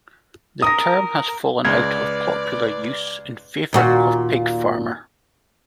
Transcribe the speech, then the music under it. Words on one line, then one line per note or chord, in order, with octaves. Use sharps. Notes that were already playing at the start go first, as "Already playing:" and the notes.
The term has fallen out of popular use in favour of pig farmer.
A#4 D#6 A#6
C#2 B4 D5 G#6
D#2 A#2 F#4